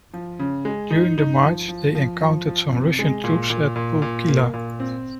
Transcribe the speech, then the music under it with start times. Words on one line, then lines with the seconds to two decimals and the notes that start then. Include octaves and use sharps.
During the march they encountered some Russian troops at Pulkkila.
0.13 F3
0.39 C#3
0.65 G#3
0.91 D#4
1.18 D#4
1.43 F3
1.68 F3
1.95 F3
2.21 F3
2.47 F3
2.72 C3
2.99 G#3
3.24 A#2
3.50 A#2
3.76 A#2
4.02 A#2
4.28 A#3
4.54 A#2
4.80 C4